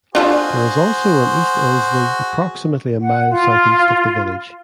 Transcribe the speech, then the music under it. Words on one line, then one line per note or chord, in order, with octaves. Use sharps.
There is also an East Ilsley approximately a mile southeast of the village.
D4 F4 F#4 G#4 A4 C5
F#5
F4